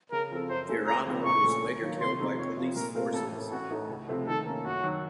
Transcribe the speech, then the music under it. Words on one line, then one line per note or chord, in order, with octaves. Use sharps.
Veeranna was later killed by police forces.
C#3 A#4
F3 C4 F4 A4
F#2 C5
C#3 A3 C#4 A4
C#2 A#5
C#3 F3 C4 D#4
A#1 C#6
A#2 A3 C#4 A4
D#2
D#3 F#3 A#3 F4
C3 C6
F3 C4 D#4 A4
F2 C#5
C3 F3
A#2 A#4
A3 C4 F4 A#4
A1 A4
A2 A3
A1 F#4
A2 A3 D#4
C#2
C3 F3 A3 C4
D#3 A4
A#3 C#4
F#2 F#4
D#3 F#3